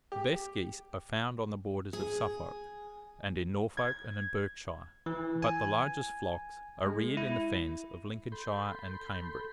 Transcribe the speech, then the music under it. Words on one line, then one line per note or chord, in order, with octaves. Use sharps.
The best geese are found on the borders of Suffolk, and in Norfolk and Berkshire; but the largest flocks are reared in the fens of Lincolnshire and Cambridge.
G4
G#4
G#6
E3
G#5
G#3
E4
A4 B5 C6 G6